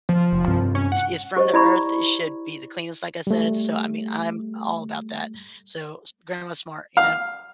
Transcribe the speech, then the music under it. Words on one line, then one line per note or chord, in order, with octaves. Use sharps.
is from the earth, it should be the cleanest, like I said, so I mean, I'm all about that. So s grandma's smart, you know,
F3
F1
G2 C3 C4
C#4
F#5
G4 C5 D#5
E4 D5 B5 C#6
G3 A3
F5